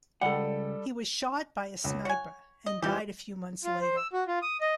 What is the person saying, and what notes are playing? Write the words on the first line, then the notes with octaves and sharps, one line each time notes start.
He was shot by a sniper and died a few months later.
C#2 G3 A4 F#5
C#2
C#5 F#5 G#5
D#5
E3 F3 G3 G4
F4
C5
E6
F#4
F4
D#6
D#5